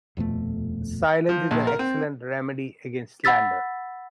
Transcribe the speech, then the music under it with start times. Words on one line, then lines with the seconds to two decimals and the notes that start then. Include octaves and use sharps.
Silence is an excellent remedy against slander.
0.17 D#1 F2 B2 A3
1.29 F3
1.51 A#1
1.67 A#4
1.79 C4
3.24 F#5 B5 E6 A6 B6